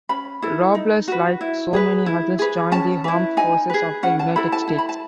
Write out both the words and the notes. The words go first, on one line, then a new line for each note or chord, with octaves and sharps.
Robles, like so many others, joined the Armed Forces of the United States.
C#4 B5
E4 A4
D#4
F#4 B4
E4
G#4 B4
E4
G#4 B4
C#4 A5
E4 B4
D#4 G#5
G#4 B4
C#4 F#5
A5
E4 A4 B5
A5
E4
B5
A5